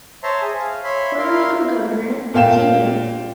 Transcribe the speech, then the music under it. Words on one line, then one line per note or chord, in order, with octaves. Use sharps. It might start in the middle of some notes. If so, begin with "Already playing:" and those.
Puerto Rico Governor and Sr.
C5 C#5 E5 A5 A#5 C6
G#4 G#5
F5
C#5 E5 B5 C6
E4 A#4 F5 C6
A#2 A#3 F5 G5 E7